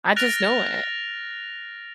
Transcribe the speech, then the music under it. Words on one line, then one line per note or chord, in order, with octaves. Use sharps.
I just know it.
F6 F#6 A6 A#6 D7 F7